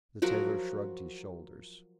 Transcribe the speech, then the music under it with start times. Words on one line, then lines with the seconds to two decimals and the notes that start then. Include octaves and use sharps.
The tailor shrugged his shoulders.
0.22 F3 F#3 F#4 A#4